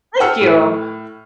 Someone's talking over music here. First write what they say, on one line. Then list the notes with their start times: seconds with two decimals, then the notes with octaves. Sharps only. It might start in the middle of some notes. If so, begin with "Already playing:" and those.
Thank you!
0.20 F#5 G5 A5 E6 F6 C#7
0.41 A2